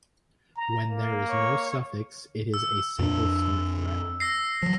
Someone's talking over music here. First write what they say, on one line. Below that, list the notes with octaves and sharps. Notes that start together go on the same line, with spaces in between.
When there is no suffix it is a single start thread.
A#5
A#3
C#5
E6
F2 D4
E6 A#6 C7
F3 F#3